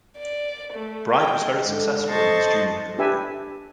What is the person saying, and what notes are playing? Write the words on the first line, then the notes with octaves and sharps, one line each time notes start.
Bryde was very successful in his junior career.
D5
A3
G#3 G5
G#2 D3
A4 C5 D#5 A5 C#6 A6
D4 G4 B4 E5 G#5